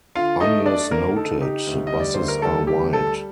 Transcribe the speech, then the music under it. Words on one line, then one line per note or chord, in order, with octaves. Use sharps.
Unless noted, buses are wide.
D3 F4 F5
A3 D#4 D#5
A3 D4 D5
D3 A#3 A#4
D#4 A4
D#4 G4
D2
D#5
G3
D5
D2 C5
A#4
G3 A4
D2 G4
G3 A4